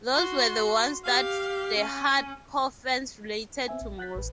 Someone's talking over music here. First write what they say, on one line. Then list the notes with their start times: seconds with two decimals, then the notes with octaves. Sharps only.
Those were the ones that the hard-core fans related to most.
0.14 F#4 C6
1.05 G4 F5
1.78 C#4
3.68 B3 C4 E5 G#5
3.81 A#1
3.99 F#5 F#6 G6 A6 B6
4.15 A1 B4